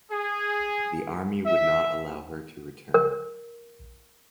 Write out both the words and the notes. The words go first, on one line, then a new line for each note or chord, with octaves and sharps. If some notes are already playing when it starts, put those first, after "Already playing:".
The army would not allow her to return.
G#4
E5
A#4